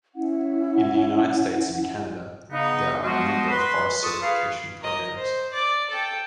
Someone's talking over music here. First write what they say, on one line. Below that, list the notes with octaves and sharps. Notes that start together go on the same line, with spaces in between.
In the United States and Canada, there are a number of forest certification programs.
C#4 E4 F#5
C#3 B3 D#4
F3 G#3 B3 D#4 F4 F#4
B4 B5 C6
F4 G#4 A4 A5 C#6 D#6
G#4 B4 F5
A#4 D#5
C5
D5
A4 G5